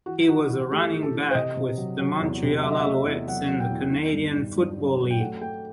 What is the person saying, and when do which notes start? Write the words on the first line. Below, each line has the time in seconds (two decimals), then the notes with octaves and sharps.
He was a running back with the Montreal Alouettes in the Canadian Football League.
0.06 E3 F#4
0.28 E3 F#4
0.49 E3 E4
0.71 A3 G4
0.93 E3
1.03 A4
1.14 E3
1.31 C5
1.35 C3 D#5
1.57 C3
1.77 F#3
1.99 F#3
2.21 E2
2.43 C3
2.63 F#3 E5
2.72 D#5
2.80 E5
2.85 A3
3.06 E2
3.27 F#3 F#5
3.49 F#3
3.60 G5
3.70 E2
3.92 D#3
4.13 G2
4.34 G2
4.56 G2
4.78 F#3
5.00 F#3
5.11 G5
5.20 A3 F#5
5.41 A3 G5